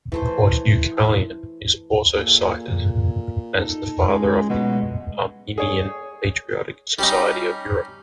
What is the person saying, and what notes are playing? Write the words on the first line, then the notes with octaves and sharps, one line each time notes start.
Portukalian is also cited as the father of the Armenian Patriotic Society of Europe.
E3 A3 C5
A#2 G#4 A4
D#4 A4
C#2 G#3
B2 F#3 G#3 A3
G#4 C#5
G3 C#4 D#4